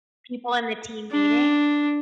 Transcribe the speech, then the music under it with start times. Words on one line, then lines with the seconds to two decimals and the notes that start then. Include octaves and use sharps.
people in the team meeting?
1.11 D4